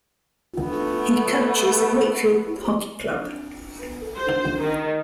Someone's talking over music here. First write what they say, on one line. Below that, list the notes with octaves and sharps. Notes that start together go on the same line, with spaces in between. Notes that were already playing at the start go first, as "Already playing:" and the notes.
He coaches at Wakefield Hockey Club.
A3 B3
C5
D#3